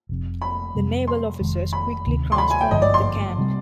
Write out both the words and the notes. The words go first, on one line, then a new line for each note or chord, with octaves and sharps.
The naval officers quickly transformed the camp.
F1 F2 C3
B5
F2 C3 G3
C6
F1 F2 D#3 G#3
B5
D2 C3 D#3
C6
B5
G#5
G5
G#1 G2 D3 F3 D#5
D5
C6
C3 G3